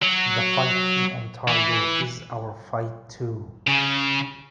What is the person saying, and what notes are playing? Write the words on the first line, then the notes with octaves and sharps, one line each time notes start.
The fight in Ontario is our fight too.
F#3
E3
C#3